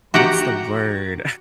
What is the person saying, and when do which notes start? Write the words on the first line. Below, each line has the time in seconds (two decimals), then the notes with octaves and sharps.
what's the word?
0.14 F#4 G4 F#5 A#5